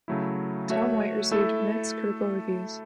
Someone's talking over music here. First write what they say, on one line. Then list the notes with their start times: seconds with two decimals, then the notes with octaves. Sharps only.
Tom White received mixed critical reviews.
0.08 C#3 F#3 A3 E4
0.69 A3 F#4 C#5 E5
1.31 A3 E4 A4 E5